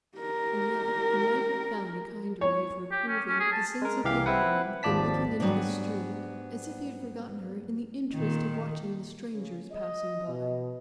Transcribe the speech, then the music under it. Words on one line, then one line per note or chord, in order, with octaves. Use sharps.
And yet, he might have found a kinder way of reproving a sensitive woman than looking into the street--as if he had forgotten her in the interest of watching the strangers passing by!
G4 A#4
C#5
G4
C#4
C#4
G#4
A5
G#3 A#4
C2 E3 G4 F5
C4 E4 B4 F#5
G#1 D#2 F3 D5 A5 B6
G#2 F#3 G3 A#3 B3 D4
A#2 D#3
C#3
D#5
B2